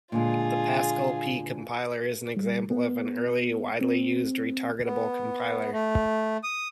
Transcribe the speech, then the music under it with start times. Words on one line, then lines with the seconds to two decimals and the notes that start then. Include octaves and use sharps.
The Pascal P-compiler is an example of an early widely used retargetable compiler.
0.12 A#2 D3 G#3 F4 G#4
2.37 G3
2.71 B3
3.81 C4
4.85 B3
5.72 A3
6.43 D#6